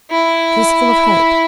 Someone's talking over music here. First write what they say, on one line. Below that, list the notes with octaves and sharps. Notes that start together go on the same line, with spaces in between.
She was full of hope.
E4